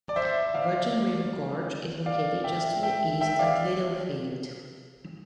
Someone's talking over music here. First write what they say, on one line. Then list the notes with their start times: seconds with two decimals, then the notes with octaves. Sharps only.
The Virgin River Gorge is located just to the east of Littlefield.
0.09 D5
0.16 C5 E5
0.54 D5 F5
2.06 D5 F5
2.44 E5 G5
2.83 E5 G5
3.21 E5 G5
3.39 D5 F5